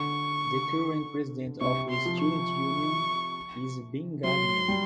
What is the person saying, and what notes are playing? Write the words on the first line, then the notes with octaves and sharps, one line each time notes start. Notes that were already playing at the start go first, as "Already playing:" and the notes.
The current president of the Student Union is Ben Gardiner.
Already playing: D3 C#6
C3 C#6
C6
F3
C#6
F#3 C6
G3